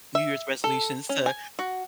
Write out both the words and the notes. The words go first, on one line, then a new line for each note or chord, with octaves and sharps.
New Year's resolutions to
E5
A4
C#4
G#5
F#4